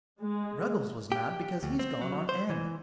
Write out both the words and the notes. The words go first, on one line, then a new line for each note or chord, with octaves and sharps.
Ruggles was mad because he's gone on Em.
G#3
G4
D2
C4
F#3
C5
E3